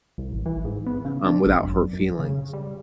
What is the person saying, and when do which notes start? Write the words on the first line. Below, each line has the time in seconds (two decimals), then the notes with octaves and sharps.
um, without hurt feelings?
0.18 C2
0.32 A1
0.46 E3
0.65 G#2
0.86 B3
1.05 C#3
1.24 D4
1.46 A1
1.62 F#2
1.93 F#2
2.19 C#3
2.53 G3